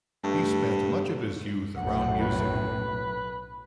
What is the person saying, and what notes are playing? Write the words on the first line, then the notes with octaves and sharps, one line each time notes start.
He spent much of his youth around music.
G2 A3
B1 F#2 A2 F#5
B4